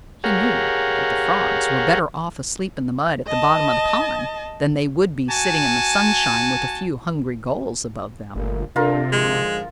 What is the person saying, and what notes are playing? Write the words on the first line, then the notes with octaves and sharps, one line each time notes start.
He knew that the Frogs were better off asleep in the mud at the bottom of the pond, than they would be sitting in the sunshine with a few hungry Gulls above them.
G4 G#4 A#4 C#5 F5 F#5
D#5 A5
F#4 G#5 A5
G1 A#2 A3 A#3
C3 D4 F4 A4 A#4
G#2 D3 F3 G#3